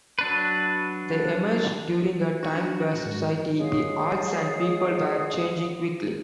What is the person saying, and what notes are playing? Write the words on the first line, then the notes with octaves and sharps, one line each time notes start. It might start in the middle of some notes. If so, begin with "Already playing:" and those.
They emerged during a time where society, the arts and people were changing quickly.
F#3 D4 B4
D#4 E4 F#4
D4 A5 B5
G#2
G#3 C#5 F5 F#5 D#6